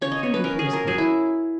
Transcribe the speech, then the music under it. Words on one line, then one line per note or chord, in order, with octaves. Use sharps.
Kennedy faced me.
C#3 C#5
D#5
C#3 C#5
B4
C#4 A#4
G#4
F#3
A#4
F#3 G#4
E4